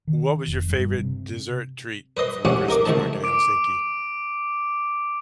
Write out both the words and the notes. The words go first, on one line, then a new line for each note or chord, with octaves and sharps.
What was your favorite dessert treat from a Christmas market in Helsinki?
D#3
F1
G2
C3
B4 C5 D#5 C6
A1 G#2 F3 C#4 G4 F#5
D#4 A#4 D6
C#2 A2 D#3 F3 A5
D6 D7